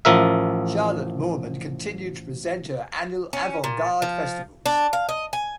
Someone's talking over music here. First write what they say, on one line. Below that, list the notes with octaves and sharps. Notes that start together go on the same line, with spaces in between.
Charlotte Moorman continued to present her annual Avant Garde Festivals.
A1 F3 A#4 E5
C#4
A#2
F3
D4
F5
D#5
G#5